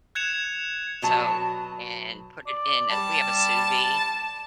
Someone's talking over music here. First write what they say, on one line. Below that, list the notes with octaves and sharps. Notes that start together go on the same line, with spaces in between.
So and put it in a we have a sous vide,
F#6 G#6 C#7 E7 F7
B2 F#3 A5
D5
G3 A5